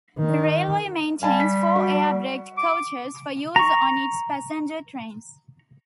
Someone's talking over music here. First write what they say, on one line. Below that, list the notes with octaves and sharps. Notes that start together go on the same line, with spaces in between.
The railway maintains four air-braked coaches for use on its passenger trains.
D#3
G3 F5 G#5 A5
B6
F#4
D6
A#5 C#6